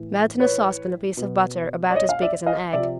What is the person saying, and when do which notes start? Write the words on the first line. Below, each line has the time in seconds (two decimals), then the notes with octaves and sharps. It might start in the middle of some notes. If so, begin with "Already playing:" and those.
Melt in a saucepan a piece of butter about as big as an egg.
Already playing: A2 E3
0.40 B4 C#5
1.17 B2
1.90 D5
1.95 C#5 D#5
2.09 F5
2.22 D5 E5
2.46 D#5 F5
2.73 C3 F3 D5 E5